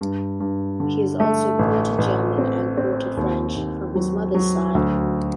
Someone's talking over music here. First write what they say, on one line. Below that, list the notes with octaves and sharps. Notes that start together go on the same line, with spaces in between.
He is also quarter German and quarter French from his mother's side.
G2
G2
D3
A3
A1
A1
C4
C4
D#2
D#2
F#3
F#3
D2